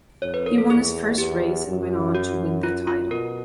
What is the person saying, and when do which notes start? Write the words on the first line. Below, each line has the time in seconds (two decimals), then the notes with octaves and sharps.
He won his first race and went on to win the title.
0.22 F2 C#5
0.34 B4
0.46 A#4
0.58 A4
0.70 E2 G#4
1.18 E2 G4
1.67 F#2
2.15 F#4
2.63 F4
2.87 F4
3.11 B2 A#4